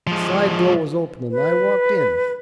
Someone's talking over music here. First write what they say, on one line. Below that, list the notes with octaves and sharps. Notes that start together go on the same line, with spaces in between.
The side door was open and I walked in.
F3 G#3
B4